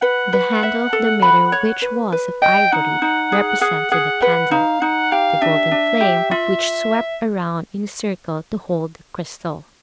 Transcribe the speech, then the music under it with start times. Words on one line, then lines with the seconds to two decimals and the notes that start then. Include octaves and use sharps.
The handle of the mirror, which was of ivory, represented the candle, the golden flame of which swept round in a circle to hold the crystal.
0.02 B4 F#5
0.33 B4
0.63 E5
0.93 A4
1.22 B5
1.52 C#5
1.82 B4
2.12 B4
2.42 D#5 G5
2.72 D#4 F#5
3.02 D#4
3.32 G#4
3.61 G#4 F#5
3.92 G#4 F#5
4.22 B4 F#5
4.51 D#4 F5
4.81 D#4 F#5
5.12 G4 F5
5.41 D4 E5
5.71 D4
6.01 G4
6.31 F4 E5